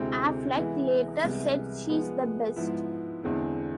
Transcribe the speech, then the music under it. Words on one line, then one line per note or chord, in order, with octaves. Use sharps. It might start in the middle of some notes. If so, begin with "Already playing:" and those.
Affleck later said: She's the best.
Already playing: D2 C3 G#3 C4 E4
E3 G#3 B3 E4
C2 C3 G#3 B3
F3 G#3 B3
G#2 F3 B3 E4
E2 D3 G#3 C4 E4